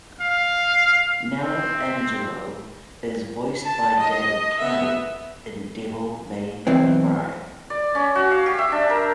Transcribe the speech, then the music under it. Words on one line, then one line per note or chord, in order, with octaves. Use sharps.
Nelo Angelo is voiced by David Kelley in "Devil May Cry".
F5
C4
A5
D#5
B3 E5
B1 E3 C4
D5
C#4
F#4
F5
G4
E5
D4
A#4